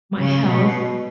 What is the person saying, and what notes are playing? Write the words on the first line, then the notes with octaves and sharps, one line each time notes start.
my health
C#3
B2